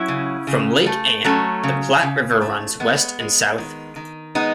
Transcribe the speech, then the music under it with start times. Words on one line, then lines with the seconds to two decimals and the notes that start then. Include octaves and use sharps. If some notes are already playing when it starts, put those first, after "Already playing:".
From Lake Ann, the Platte River runs west and south.
Already playing: F#3 C#4 E4
0.08 C#3
0.47 C#3
0.86 A3
1.24 F#3 A3 C#4
1.63 C#3
2.03 C#3
2.42 A3
2.80 G#3 B3
3.19 G#3
3.58 D#3
3.96 D#3
4.35 G#3 B3 D#4